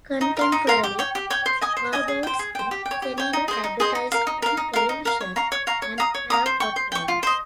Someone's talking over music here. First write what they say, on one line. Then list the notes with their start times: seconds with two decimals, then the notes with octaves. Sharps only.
Contemporary marabouts in Senegal advertise on television and have hot lines.
0.21 D#4
0.37 A#4 F5 C6
0.52 D#4
0.67 A#4 F5 C6
0.84 G4
0.99 C#5 G5
1.15 G4
1.30 C#5 G5
1.46 C5
1.61 D#5 G#5 D#6
1.77 C5
1.93 D#5 G#5 D#6
2.08 G#4
2.23 C5 G5
2.39 G#4
2.55 C5 G5
2.71 G4
2.86 G5
2.91 C#5
3.02 G4
3.18 C#5 G5
3.33 D#4
3.48 G#4 C5 D#5
3.64 D#4
3.80 G#4 C5 D#5
3.95 D#4
4.12 A#4 F5
4.27 D#4
4.42 A#4 F5
4.57 D#4
4.73 A#4 F5
4.89 D#4
5.05 A#4 F5
5.21 C#5
5.36 F5 A#5 C#6
5.52 C#5
5.67 F5 A#5 C#6
5.82 C#5
5.98 F5 A#5 D#6
6.15 C#5
6.30 F5 A#5 D#6
6.46 C5
6.60 G5 C#6
6.76 C5
6.92 G5 C#6
7.08 F4
7.23 C5 D#5